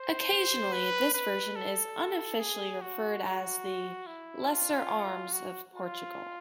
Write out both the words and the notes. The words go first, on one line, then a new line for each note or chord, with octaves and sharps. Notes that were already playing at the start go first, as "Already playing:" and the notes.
Occasionally, this version is unofficially referred as the "lesser arms of Portugal".
Already playing: C5
B4
B4
A4
G#4
F#4
E4
F4
F#4
F4